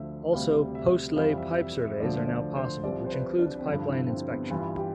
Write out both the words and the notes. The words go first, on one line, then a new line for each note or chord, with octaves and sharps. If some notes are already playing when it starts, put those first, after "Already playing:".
Also, post-lay pipe surveys are now possible, which includes pipeline inspection.
Already playing: D2 D3 F3 E5
D2 C3 G3 F5
E5
F2 E3 G3 F5
E5
E5
E5
D2 D3 F3 D5
D5
C5
C2 C3 F3 D5
C5
B4
D4
C4
G2 D3 F3 D4
E4
C4
B3
G2 E3 G3 F4
G4